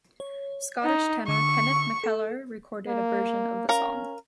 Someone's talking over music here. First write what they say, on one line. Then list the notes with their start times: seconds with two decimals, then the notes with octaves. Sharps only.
Scottish tenor Kenneth McKellar recorded a version of the song.
0.20 C#5
0.84 D#4
1.28 D3 C#6 D6 E6
2.04 A4
2.88 A#3
3.69 C#4 A#4 F5